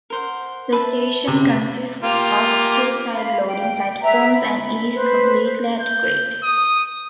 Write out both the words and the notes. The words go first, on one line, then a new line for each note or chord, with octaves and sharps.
The station consists of two side-loading platforms and is completely at grade.
A#4 C5 F#5
B4 E5 A5
C3
A#3 F4 G4
F5 B5
G5
G#4 B4 E5 A#5
B5
B4 C5
G6
D#6